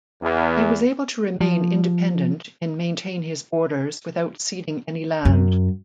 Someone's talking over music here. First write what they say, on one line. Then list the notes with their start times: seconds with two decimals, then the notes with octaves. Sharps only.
He was able to remain independent and maintain his borders without ceding any land.
0.22 E2
1.40 F3
5.25 F#2